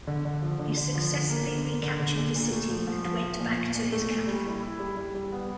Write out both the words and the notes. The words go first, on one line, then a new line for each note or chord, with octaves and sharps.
He successfully recaptured the city and went back to his capital.
D3
D3
F3
D3
D3
F3
D3
A#3
D3
A#3
D3
D3
A#2
A#2
A3
F3
F3
F3
F3
A#2
A#2
A#2
A3
A#2
G3
E4
E4
G3
G3
G3
B3